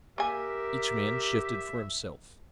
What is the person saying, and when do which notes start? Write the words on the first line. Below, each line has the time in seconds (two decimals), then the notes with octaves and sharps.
Each man shifted for himself.
0.18 A#3 G4 A#4 E5 G#5